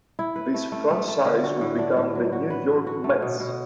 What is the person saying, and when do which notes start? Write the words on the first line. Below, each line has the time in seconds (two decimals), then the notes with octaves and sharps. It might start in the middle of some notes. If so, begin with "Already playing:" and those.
This franchise would become the New York Mets.
0.19 E4
0.36 B4
0.54 A3
0.72 A3
0.90 A3
1.08 A3
1.25 D3
1.43 F#4
1.61 A2
1.79 D4
1.97 A2
2.15 F#3
2.32 F#4
2.50 B4
2.69 F#4
2.87 F#4
3.04 A3
3.22 B2
3.40 B2